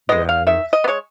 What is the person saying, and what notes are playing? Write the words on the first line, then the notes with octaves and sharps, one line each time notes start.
Yeah, it is.
G#3 B3 D#5
F5
D#3 E5
D#5
B3
G#3 C#5